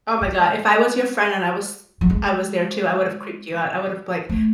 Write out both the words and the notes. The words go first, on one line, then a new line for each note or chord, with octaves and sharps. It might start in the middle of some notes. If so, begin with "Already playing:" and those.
Oh my god, if I was your friend and I was I was there too, I would've creeped you out. I would've, like,
G#3
F#3
G#3
A3